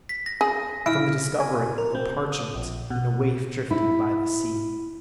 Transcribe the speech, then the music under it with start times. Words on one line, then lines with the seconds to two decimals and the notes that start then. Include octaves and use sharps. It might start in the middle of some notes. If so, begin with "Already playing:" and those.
From the discovery of a parchment in a waif drifted by the sea.
0.09 B6
0.26 A#6
0.41 G#4
0.86 E4 F6 D7
1.40 G#5
1.78 A#4
1.95 C4
2.32 D#6
2.54 A#1
2.90 B2
3.71 E4